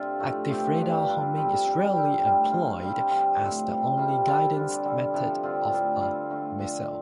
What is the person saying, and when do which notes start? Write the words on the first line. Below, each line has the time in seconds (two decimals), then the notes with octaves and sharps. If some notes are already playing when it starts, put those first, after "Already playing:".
Active radar homing is rarely employed as the only guidance method of a missile.
Already playing: C3 D4 F4 A4
0.19 A2 F3 A3
0.49 F3 A3 C4 G4
0.77 G2 F3 D4 G4
1.07 G3 D4 F4 A4
1.35 G3 C4 G4
1.65 G3 D4 A4
1.94 G3 C4 G4
2.24 A2 G3 F4 A4
2.51 G3 F4 A4
2.81 G3 C4 A4
3.10 D3 G3 F4
3.39 A2 F3 C4
3.68 G3 C4 A4
3.97 C3 G3 F4
4.26 G3 F4 A4
4.56 D3 G3 D4
4.85 D3 G3 F4 A4
5.14 C3 F3 D4 A4
5.43 D3 F3 C4 F4
5.72 A2 G3 D4 F4
6.00 G3 F4 A4
6.30 D3 A3 F4
6.58 F3 D4 A4